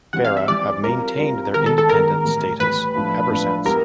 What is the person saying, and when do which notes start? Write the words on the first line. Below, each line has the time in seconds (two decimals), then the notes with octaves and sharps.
Farrah have maintained their independent status ever since.
0.13 E3 G3 C4 F#5
0.25 F5
0.37 E5
0.48 E3 G3 C4 D5
0.84 G3 C4 F4 A#4
1.19 G3 C4 F4
1.54 D#3 G#3 B3 A#4
1.66 A4
1.78 A4
1.89 D#3 G#3 B3 A#4
2.25 A2 E3 G3
2.60 A2 E3 G3 B4
2.95 A2 F3 A3 D4
3.30 A2 F3 A3 D4
3.65 G3 B3 E4 G4 A#4